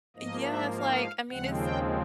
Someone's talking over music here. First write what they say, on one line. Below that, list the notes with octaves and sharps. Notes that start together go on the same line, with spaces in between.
Yeah, it's like, I mean, it's
G#2 F3 A#3 D#5
E5
F5
D#2 C#3 F3 G#3 C4 F#5
G5